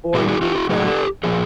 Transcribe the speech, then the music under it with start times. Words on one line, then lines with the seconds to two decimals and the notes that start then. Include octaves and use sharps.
or you need to,
0.14 A#2 G3 F#4 G#4
0.28 F#4 G#4
0.42 F4 G4
0.55 E4 F#4
0.69 A2 F#3 F#4 G#4
0.87 G4 A4
1.24 A#2 F3 G#4